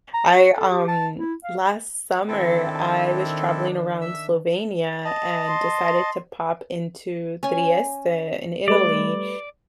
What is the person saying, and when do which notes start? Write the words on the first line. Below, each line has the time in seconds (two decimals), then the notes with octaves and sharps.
I, um, last summer, I was traveling around Slovenia and decided to pop into Trieste in Italy,
0.14 A#5
0.33 F#4
0.57 A4
0.71 G4
0.88 A5
1.18 E4
1.44 F5
2.28 D#3 C4 D4 E4 A4
4.01 E5 E6
5.05 D#5 A5
5.48 C6
7.43 C#4 G#5
8.68 G3 A3 B4 D5